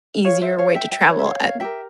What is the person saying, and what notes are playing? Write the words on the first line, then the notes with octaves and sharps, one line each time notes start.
easier way to travel at
F4 G#4 C#5 F5
C5 E5
C#5 F5
E5 G5
E5 G5
C#5
E5
C#5 F5
C#5 F5
E4 G4 A#4 E5 G5